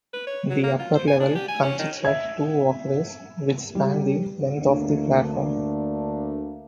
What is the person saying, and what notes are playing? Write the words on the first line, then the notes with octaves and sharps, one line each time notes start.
The upper level consists of two walkways which span the length of the platform.
B4
C#5
F#3
A#3
F4
C5
G#5
D4
G4
G#5
C#4
D#3
E5 G#6
G3
D2 D3 A3 A#3 D4